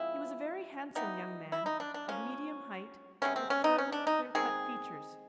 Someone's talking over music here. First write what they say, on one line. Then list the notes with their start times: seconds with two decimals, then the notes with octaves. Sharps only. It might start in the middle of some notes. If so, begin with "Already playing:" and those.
He was a very handsome young man, of medium height, with firm, clearcut features.
Already playing: F3 G#3 C4 E4
0.95 E3 G3 B3 D#4
1.52 E4
1.66 D#4
1.80 D4
1.94 D4
2.08 F3 A#3 C#4
3.22 C3 F3 G#3 B3 C#4
3.36 C4
3.50 C#4
3.64 D#4
3.78 C#4
3.92 D4
4.07 D#4
4.35 D#3 G#3 C4 G#4